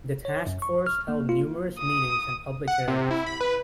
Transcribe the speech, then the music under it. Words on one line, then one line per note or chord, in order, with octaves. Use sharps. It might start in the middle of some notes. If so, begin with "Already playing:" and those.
The task force held numerous meetings and public hearings.
C#5
F#2
C#6
F6
A#3
F4
D#6
F#5
C3
E4
B5
B4